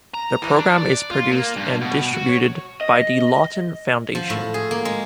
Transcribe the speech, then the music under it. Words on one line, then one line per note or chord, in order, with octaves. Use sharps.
The program is produced and distributed by the Lawton Foundation.
A#5
E3
D4
D5
F4
A#3
G2
B2
F#4
C#5
D#5
F3
A2
G#4
A#3
G#3